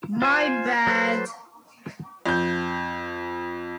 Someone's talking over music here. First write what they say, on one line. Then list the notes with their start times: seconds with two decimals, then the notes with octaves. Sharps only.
My bad!
0.22 F4 C5 G#5
0.87 F#3 A4 B4 C5
2.26 F2 G6